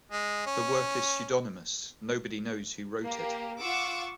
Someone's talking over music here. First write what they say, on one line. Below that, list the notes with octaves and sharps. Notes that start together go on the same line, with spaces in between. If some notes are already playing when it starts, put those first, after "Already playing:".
The work is pseudonymous: nobody knows who wrote it.
G#3
C#4
A#3 G4
F4 F#5 C#6 D6 E6